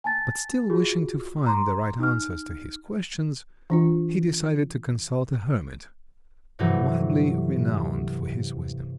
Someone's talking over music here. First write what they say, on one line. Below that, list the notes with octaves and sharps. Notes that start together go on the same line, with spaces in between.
But still wishing to find the right answers to his questions, he decided to consult a hermit, widely renowned for his wisdom.
G#5 A5 A6
F4 F#4 G#4
A#5 C6 D6
D#4 F6
E3 D4 F4
G2 C3 E3 F#3 A3